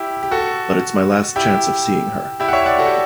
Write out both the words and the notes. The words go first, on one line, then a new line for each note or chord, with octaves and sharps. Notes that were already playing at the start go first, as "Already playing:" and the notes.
But it's my last chance of seeing her.
Already playing: E4 G4
G4
F#4 A4
E4 G4
E4 G4
F#5
C#5 E5
D5 F#5
F#4 A4
G4